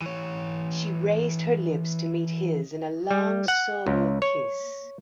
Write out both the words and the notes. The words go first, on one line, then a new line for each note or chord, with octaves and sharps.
She raised her lips to meet his in a long, soul kiss.
E3 C#5
G3
F#5
C#2
C#5